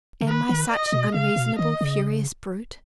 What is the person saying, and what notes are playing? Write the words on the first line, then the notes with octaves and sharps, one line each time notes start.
Am I such an unreasonable, furious brute?
C#3
D#3 B4
D#3
D#5
B2
C#3 F5
B2
D#3 D#5
C#3